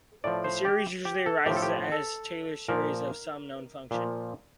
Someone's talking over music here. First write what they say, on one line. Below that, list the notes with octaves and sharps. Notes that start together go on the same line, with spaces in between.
This series usually arises as the Taylor series of some known function.
A2 F3 D5
C5
G4
G4
A4
A2 F3 G4
A4
G4
A4
A#2 F3 A#4
A#2 F3